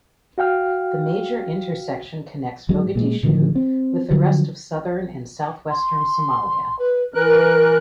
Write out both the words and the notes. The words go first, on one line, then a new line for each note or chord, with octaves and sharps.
The major intersection connects Mogadishu with the rest of southern and southwestern Somalia.
F#4 F5 G5 F6
G#2 F#3 G#3
A#2 G#3
A2 D3 D#3 F3
C4
D3 F3 F#3
C6
B4
E3 A#4 B4 F#6